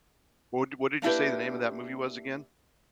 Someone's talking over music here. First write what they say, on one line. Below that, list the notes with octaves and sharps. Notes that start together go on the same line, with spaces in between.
What d what did you say the name of that movie was, again?
A#3 D4 E4 G4 B4